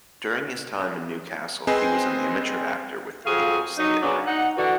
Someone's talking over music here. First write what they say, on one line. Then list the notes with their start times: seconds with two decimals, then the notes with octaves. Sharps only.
During his time in Newcastle he was an amateur actor with the People's Theatre.
1.67 C4 G#4 B4 C5 D#5 G#5
3.26 F2 F#4 G#4 C5 F5
3.78 F#3 D#4
4.02 C#3 F#3 B3 D4
4.27 D#4 F#5
4.57 D3 E3 D4 F#4